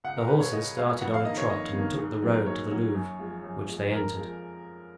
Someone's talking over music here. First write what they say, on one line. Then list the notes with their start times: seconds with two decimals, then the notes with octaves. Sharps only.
The horses started on a trot and took the road to the Louvre, which they entered.
0.04 C#2 F#5
0.17 A#4
0.28 B2 G#3 B4
0.40 C#5
0.52 C#2 D#5
0.77 B2 G#3 F5
1.01 F2 F#5
1.14 F5
1.25 D#3 A#3 D#5
1.37 C#5
1.50 F2 D#5
1.73 D#3 A#3
1.98 G#2
2.23 F#3 A#3
2.46 G#2 C#5
2.71 F#3 A#3
2.95 F#2
3.19 F3 G#3
3.44 F#2
3.68 F3 G#3
3.92 F2 A#4
4.17 F3 G#3